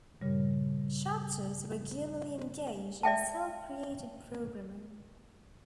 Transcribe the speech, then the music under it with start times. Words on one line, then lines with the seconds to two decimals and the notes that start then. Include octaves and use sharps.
Chapters regularly engage in self-created programing.
0.21 G2 A#2 C#3 G3
3.03 D5 E5 G5 A5